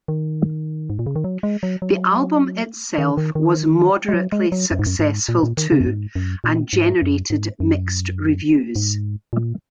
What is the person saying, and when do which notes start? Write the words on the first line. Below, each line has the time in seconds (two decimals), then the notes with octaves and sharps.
The album itself was moderately successful too and generated mixed reviews.
0.08 D#3
0.90 G#2
0.99 A#2
1.06 C#3
1.16 D#3
1.24 F#3
1.43 G#3
1.63 F#3
1.82 F#3
2.98 D#3
3.17 D#3
3.35 D#3
4.09 G#3
4.14 F#3
4.32 G#3
4.52 F#3
4.71 F#2
4.79 G#2
4.86 F#2
4.99 G#2
5.29 A#2
5.43 A#2
5.57 D#3
5.72 C#3
5.81 F#2
5.87 G#2
6.16 F#2
6.44 A#2
6.73 G#2
7.02 F#2
7.30 G#2
7.60 F#2
8.76 G#2
9.33 A#2